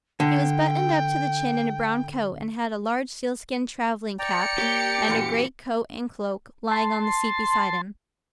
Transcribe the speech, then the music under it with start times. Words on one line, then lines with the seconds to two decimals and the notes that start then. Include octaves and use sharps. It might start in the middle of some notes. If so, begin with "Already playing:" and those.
He was buttoned up to the chin in a brown coat; and had a large sealskin travelling-cap, and a greatcoat and cloak, lying on the seat beside him.
0.20 D3 G5
4.19 D5 G5 A#5 C#7
4.58 A#3 G4 C#5
5.08 F#2 A#2 E3
6.71 A5 C6